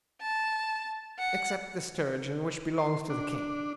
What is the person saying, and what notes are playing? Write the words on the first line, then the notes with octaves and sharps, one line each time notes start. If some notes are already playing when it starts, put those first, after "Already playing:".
"Except the sturgeon, which belongs to the king."
A5
F#5
C6
D4
D4